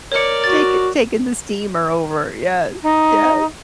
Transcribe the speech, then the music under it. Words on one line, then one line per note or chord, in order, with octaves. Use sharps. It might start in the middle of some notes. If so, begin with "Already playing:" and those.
takin taking the steamer over. Yes. Yes.
A#4 C#5 D5 C#7
F#4 A6
D#4